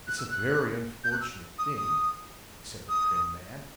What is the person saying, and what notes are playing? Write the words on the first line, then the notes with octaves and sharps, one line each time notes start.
'It's a very unfortunate thing,' said the prim man.
F#6
E6
F#6
G6
F#6
E6
D#6
D#6
D#6